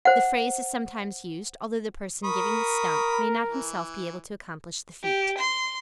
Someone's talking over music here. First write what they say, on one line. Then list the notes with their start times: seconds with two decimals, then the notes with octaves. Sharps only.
The phrase is sometimes used, although the person giving the "stump" may not himself be able to accomplish the feat.
0.05 C5 F#5
2.24 A#4 B5 C#6 D#6
3.47 E3
5.03 G4
5.39 C6